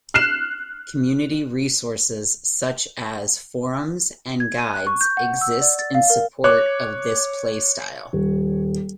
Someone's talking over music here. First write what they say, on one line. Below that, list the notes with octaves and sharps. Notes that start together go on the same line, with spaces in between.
Community resources such as forums and guides exist in support of this play style.
F6 F#6 C7 E7
G#6
D#7
F#6
C#6
G6
F#5
E6
D5
A6
F5
A#4
C#5 D6 F#6
D#1